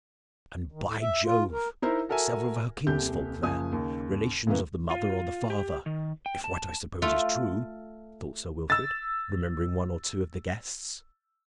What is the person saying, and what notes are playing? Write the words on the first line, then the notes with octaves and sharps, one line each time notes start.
"And, by Jove! several of her kinsfolk there, relations of the mother or the father, if what I suppose is true!" thought Sir Wilfrid, remembering one or two of the guests.
D#3
A2
E5
F4
A#4
D#4 E4 A#4 C5 E5
F#4 A4 A#4 E5 G#5
D#1 C2 G4 G6
F#1 F3 G#5 D#6
D#2 C#3
A2 C#3 E3 A#3 B3
F4
G4
D#3
G5
A5
A3 F4 A4
E6 A6